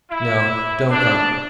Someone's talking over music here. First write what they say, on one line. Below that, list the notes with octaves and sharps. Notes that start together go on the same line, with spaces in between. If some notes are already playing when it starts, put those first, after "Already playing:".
"No. Don't come!"
E4
D4